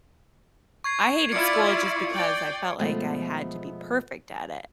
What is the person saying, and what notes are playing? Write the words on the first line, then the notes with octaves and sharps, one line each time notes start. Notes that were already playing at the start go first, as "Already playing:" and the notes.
I hated school just because I felt like I had to be perfect at it.
C#6 G#6 C7
E4 F4 D5 C#7 D7
D5 G5
B2 F3 G#3 A3 B3